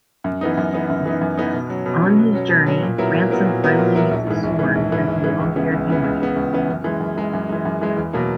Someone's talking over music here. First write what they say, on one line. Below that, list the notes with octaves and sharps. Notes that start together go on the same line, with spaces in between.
On his journey, Ransom finally meets a "sorn," as he long feared he might.
F#2
E3 B3 D#4
F#2
E3 B3 D#4
F#2
E3 B3 D#4
F#2
E3 B3 D#4
B2
F#3 C#4
B2
F#3 C#4
B2
F#3 C#4
B2
F#3 C#4
A#2
F#3 B3 E4 A#4
A#2
F#3 B3 E4 A#4
A#2
F#3 B3 E4 A#4
A#2
F#3 B3 E4 A#4
A#1
G#2 E3
A#1
G#2 E3
A#1
G#2 E3
A#1
G#2 E3
C#2
C#3 E3 B3
C#2
C#3 E3 B3
C#2
C#3 E3 B3
C#2
C#3 E3 B3
F#2
E3 G#3
F#2
E3 G#3
F#2
E3 G#3
F#2
E3 G#3
E2
B2 F#3 A#3